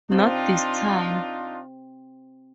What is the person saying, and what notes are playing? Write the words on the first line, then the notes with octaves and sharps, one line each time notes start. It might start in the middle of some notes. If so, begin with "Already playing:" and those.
Not this time.
C4 D4 D#4 F4